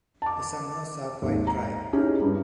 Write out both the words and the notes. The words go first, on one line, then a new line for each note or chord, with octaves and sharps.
The summers are quite dry.
A5 D6
G#1 D#2
A#5
C#4 D#4 E4 G4 G#4
G2